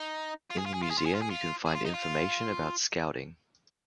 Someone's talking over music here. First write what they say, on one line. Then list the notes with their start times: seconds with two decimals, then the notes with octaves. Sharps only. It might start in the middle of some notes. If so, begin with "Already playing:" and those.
In the museum you can find information about Scouting.
Already playing: D#4
0.50 F4
0.58 G#4
0.66 F4
0.74 G#4
0.82 F4
0.90 G#4
0.98 F4
1.06 G#4
1.15 F4
1.22 G#4
1.30 F4
1.66 G#4
1.75 F4
1.85 D#4
1.94 F4